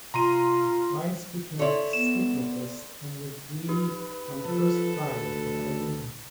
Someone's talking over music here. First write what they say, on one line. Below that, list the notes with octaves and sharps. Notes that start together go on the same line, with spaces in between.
Wise became a stigmatist and would bleed on the first Friday of every month.
C3 F4 A#5 C6 D#7
E4 A4 C#5 D5 C6
B3 E7
D#4 G4 B4
F3 A4
D2